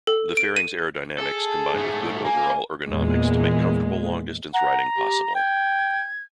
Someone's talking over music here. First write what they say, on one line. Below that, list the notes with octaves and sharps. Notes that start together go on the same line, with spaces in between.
The fairing's aerodynamics combined with good overall ergonomics to make comfortable long-distance riding possible.
A4
D7
D#7
G#4 A4
G#2 A3
A#3 G#5
E2 A#2 G#3
F#5 A#5
G4
G5 G#6